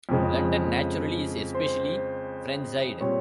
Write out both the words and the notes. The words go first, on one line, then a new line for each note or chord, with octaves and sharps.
London, naturally, is especially frenzied.
F2 C#3 G#3
C5
A#2 G3 C4 C#5